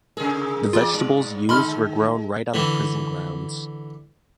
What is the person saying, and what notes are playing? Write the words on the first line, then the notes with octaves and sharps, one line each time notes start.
The vegetables used were grown right on the prison grounds.
C3 G#4 A#4
E2 F4 D5
G2 D5
D3 D#3 G#3 B5 C6 F6
D3 E3